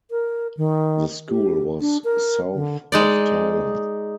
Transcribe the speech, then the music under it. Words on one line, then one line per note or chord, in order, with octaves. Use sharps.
The school was south of Tyler.
A#4
D#3
G4
D4
A#4
D3
G#3 D#4 D5